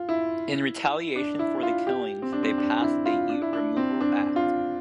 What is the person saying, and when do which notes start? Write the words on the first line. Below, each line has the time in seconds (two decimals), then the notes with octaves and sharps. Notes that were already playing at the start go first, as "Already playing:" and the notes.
In retaliation for the killings, they passed the Ute Removal Act.
Already playing: F4
0.09 E4
1.16 D4
1.39 E4
1.63 F4
1.87 G4
2.22 C4
2.33 D4
2.43 C4
2.58 D4
2.77 D4
2.82 E4
3.06 F4
3.29 D4
3.42 E4
3.53 D4
3.77 C4
4.01 D4
4.36 F4